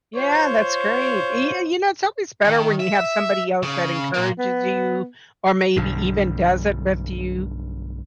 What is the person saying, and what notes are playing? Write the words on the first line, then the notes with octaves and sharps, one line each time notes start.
Yeah, that's great. Y yeah, you know, it's always better when you have somebody else that encourages you or maybe even does it with you.
F4 C5 C#5
D#3
E5
C#3
A#2 A#3
B3
B1 G2 D3